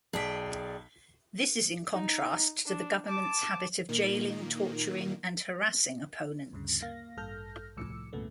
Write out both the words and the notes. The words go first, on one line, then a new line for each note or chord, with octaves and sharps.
This is in contrast to the governments habit of jailing torturing and harassing opponents.
B1 G#4 D5 G5 A5 B6
D#4
D4
A5 D6
A#2 D#3 A#3
D2 G2 C#3
A#3 F5 A#6
A1 G2 A4 F6 G6 A#6
C2 A2 F3 D6 E6 C#7
C2 G2 A#2 C#3 A3 B3